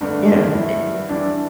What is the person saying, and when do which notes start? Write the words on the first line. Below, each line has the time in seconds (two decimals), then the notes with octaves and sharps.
Yeah, y yeah,
0.01 G2 D3 A3 D4
0.55 E4
1.09 E3 G3 D4 E4